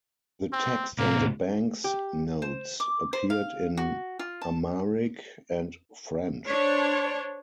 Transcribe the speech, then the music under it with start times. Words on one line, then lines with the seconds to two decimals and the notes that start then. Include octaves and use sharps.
The text on the bank's notes appeared in Amharic and French.
0.53 C4
0.99 A2 C3 A#3
1.84 G4
2.42 C5
2.80 D6
3.13 C5
3.30 F5
3.77 F#4
4.19 F4
4.41 A5
6.46 D4 C5 C#5